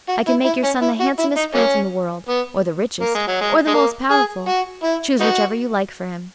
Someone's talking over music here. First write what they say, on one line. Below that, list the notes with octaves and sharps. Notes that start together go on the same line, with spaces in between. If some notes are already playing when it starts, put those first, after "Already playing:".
"I can make your son the handsomest prince in the world, or the richest, or the most powerful; choose whichever you like for him."
F#4
E4
E4
C#4
E4
F#4
E4
D#4
F#3 A#3 C#4
B3
A#3
G#3
F#3
G#3
G#3
A#3
G#4
F#4
E4
B3 D#4 F#4